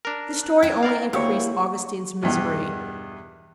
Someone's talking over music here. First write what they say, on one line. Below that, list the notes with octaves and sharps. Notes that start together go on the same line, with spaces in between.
This story only increased Augustine's misery.
D4 A#4
F#6
C4 F4 G#6
A#4 D5 F5
D2 A#3 E4 G4 C#5
E2 G2 B2